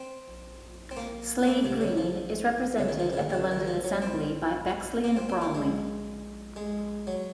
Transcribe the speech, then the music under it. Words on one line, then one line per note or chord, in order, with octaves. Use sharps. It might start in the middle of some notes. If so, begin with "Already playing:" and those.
Slade Green is represented at the London Assembly by Bexley and Bromley.
Already playing: C4
C4
A#3
C4
A#3
C3
C#3
F3
C#3
D#3
F3
C#3
D#3
D#3
C#3
D#3
F3
F#3
C4
A#3
C4
C4
A#3
G#3
G#3
F#3